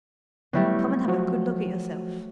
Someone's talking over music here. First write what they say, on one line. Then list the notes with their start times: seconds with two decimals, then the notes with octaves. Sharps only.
"Come and have a good look at yourself."
0.53 F#3 G3 A3 B3 E4 G4
1.08 F3 F#4 C5